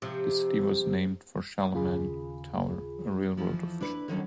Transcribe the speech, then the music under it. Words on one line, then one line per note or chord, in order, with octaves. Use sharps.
The city was named for Charlemagne Tower, a railroad official.
C3 F3
D#2 C#3 F4 G#4 B5
F2 E3 F3
D4 E4 B4
D3 D#3 F#3 C#4